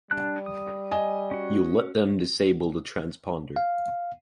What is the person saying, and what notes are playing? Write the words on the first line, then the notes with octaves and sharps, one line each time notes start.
You let them disable the transponder.
G3 D4 A5 F#6
D#6
D#5 G#5
C#4 F#4
F5